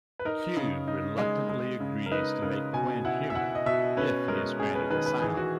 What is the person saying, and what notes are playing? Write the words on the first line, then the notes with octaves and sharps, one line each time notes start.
Q reluctantly agrees to make Quinn human if he is granted asylum.
B4
D#4 A#4
C#3
D#4
G#3
G#3
C#3
A#4
D#4 B4
C#3 A#4
B2 G#5
E4 F#5
E5
E4 F#5
D#5
B2 E5
C#4 B4
G#3 A#4
C#4 G#4
B4
D#3 B4
B4
E3 G#4
F#4